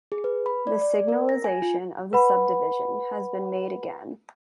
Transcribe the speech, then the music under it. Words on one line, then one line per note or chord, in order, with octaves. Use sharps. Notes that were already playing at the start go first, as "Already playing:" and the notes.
The signalization of the subdivision has been made again.
G#4
B4
B5
D5
D5
A#4
A#6
G#5
F4
B4 F#5 B5